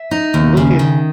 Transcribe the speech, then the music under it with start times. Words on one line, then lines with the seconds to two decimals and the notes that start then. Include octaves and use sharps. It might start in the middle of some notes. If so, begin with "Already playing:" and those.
Look at
Already playing: E5
0.11 D#4
0.34 D#2
0.57 C#3
0.79 D#3